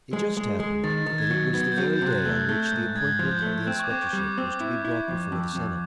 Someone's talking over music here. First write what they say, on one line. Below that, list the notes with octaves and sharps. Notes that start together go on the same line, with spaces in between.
It just happened that it was the very day on which the appointment of the inspectorship was to be brought before the senate.
G#3
G#3
G#3
D#3 A6
D#3
G#6
F#3
B3 G#6
G6
F#3
G6
C3
F#6
A3 F#6
A3
G6
G#2
G#2 G#6
F3
G6
A3
C4 F#6
C#6
D6
C4
C#6
G3
D6
C4 D6
E4
E4
F2
F2
F2